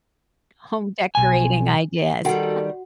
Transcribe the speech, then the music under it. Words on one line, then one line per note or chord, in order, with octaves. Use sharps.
home decorating ideas Yeah,
B1 G#5
D#3 G3 F#4 A4 F#5